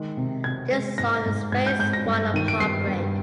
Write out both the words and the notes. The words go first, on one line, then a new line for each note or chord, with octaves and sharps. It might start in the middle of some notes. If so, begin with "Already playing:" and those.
This song is phase one of heartbreak.
Already playing: D#3 G#3
C3
C3 G#6
G#3
G#2 A#6
G#2
G#2 G#6
G6
G#2 G6
A#6
G2
D#3 D#7
D7
G2 C7
G2